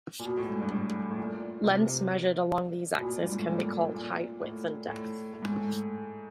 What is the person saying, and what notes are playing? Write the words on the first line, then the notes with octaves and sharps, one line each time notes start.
Lengths measured along these axes can be called "height", "width", and "depth".
A#2
B2
A2
G#2
G2
A2
A2
A#2
C3
B2
A#2
G2
G#2
A2
A#2
A#2
A2
A2
A2
G#2
A2